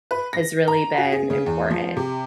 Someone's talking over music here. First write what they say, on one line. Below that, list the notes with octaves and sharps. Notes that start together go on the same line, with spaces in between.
has really been important.
B4
A#6
A#5
F#4
G#4
C#3
E2
F3
C3